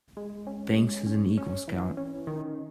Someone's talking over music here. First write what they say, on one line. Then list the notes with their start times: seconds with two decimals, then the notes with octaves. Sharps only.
Banks is an Eagle Scout.
0.17 G#3
0.47 C#4
0.77 G#3
1.06 C#4
1.37 C#4
1.68 E3
1.97 C#4
2.27 D#3